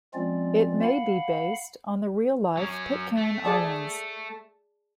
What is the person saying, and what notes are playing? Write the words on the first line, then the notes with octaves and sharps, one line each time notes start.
It may be based on the real-life Pitcairn Islands.
F3 G#3 C4 C#4 F4 D5
F5 F#5 B5
F#3 C#4
A3
G#4 D5 A5